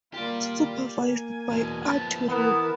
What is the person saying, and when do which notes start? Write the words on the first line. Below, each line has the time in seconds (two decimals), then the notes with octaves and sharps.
Supervised by Art Rupe.
0.14 A#3 F4 G4 D5
0.95 A#3 G#5
1.50 E2 B2
1.84 F3 B3
2.29 E3 B3 A#4 A5